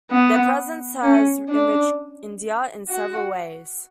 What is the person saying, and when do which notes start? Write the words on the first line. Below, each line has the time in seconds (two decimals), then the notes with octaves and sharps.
Their presence has enriched India in several ways.
0.10 B3
1.03 C#4
1.49 D4
2.88 F#4